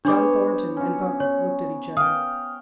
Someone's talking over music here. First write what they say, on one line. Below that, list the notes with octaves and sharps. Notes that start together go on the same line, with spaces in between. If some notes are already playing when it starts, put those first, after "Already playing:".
John Thornton and Buck looked at each other.
B3 D4 C5 C#5 D6
C#4 F#4
C#5
F5 G5 D#6